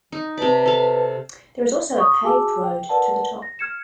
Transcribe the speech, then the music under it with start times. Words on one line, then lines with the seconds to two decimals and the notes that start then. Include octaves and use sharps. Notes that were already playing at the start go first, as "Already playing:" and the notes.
There is also a paved road to the top.
0.12 D#4
0.38 C3 B4 D5 A5
0.66 A4 F5
1.98 C#6 D#6
2.23 F#4 G#4 G#5 A5 D6 E6
2.64 G5
2.89 A#4 B4 D5 F#5 A5
3.42 A#6
3.59 F6 G#6 C#7 E7